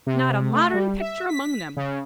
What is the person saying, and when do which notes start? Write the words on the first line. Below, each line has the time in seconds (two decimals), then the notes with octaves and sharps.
Not a modern picture among them.
0.06 C3
0.52 A3
0.74 G3
1.00 E5
1.29 B6
1.76 C#3